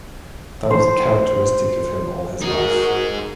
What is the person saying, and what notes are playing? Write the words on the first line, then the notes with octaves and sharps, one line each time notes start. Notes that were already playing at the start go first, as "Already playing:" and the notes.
That was characteristic of him all his life.
C5
D#4 F#4 G#4 A#4